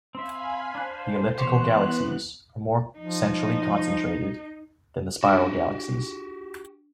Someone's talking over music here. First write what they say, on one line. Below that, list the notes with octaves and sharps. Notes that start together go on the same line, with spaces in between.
The elliptical galaxies are more centrally concentrated than the spiral galaxies.
C4 E5 F5 G#5 B5
D4 C5 F#6
E3 B3 G4 C5 C#5 F#6
F3 D#4
D4 F#4 G4